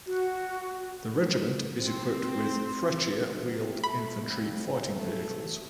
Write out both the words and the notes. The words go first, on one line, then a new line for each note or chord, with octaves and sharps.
The regiment is equipped with Freccia wheeled infantry fighting vehicles.
F#4
C4
C3
A3 B5
F2
A3